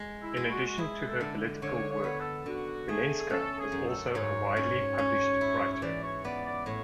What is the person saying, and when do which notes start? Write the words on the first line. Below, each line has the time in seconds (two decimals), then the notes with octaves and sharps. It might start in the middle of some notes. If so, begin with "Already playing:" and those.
In addition to her political work, Vilenska was also a widely published writer.
Already playing: G#3
0.22 E4
0.37 G#3
0.50 F#4
0.67 F#4
0.78 E4 G#4
0.99 B4
1.07 A4
1.21 D3
1.62 D3 C#5
1.91 C#5
2.04 B3
2.19 A4
2.46 D3 F#4
2.89 A3 G#4
3.30 C#4 A4
3.59 G#4
3.72 F#2
3.87 A4
4.14 G#2 C#5
4.56 C#4
4.98 C#4
5.41 E4
5.72 C#5
5.82 E3 D5
6.03 C#5
6.25 B3 D5
6.46 D5
6.66 A2 C#5